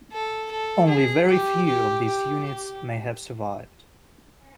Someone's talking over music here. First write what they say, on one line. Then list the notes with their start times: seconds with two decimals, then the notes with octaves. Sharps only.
Only very few of these units may have survived.
0.12 A4
0.51 A4
0.88 G#4
1.28 G4
1.66 G4
2.04 G4
2.43 G4